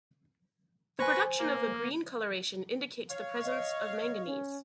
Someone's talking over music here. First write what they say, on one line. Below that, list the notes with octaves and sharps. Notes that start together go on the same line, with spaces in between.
The production of a green coloration indicates the presence of Mn.
B4 C5 G#5 C#6 A#6
A#3
C#5 F5
D#5
C#4